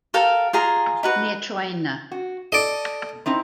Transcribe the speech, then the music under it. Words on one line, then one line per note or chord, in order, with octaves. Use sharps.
Near Troina.
A4 A#4 F5 G5
F4 G#4 A#5
D#4 F#4 B4
F#4
A4 D5 D#5
C4 D#4 E4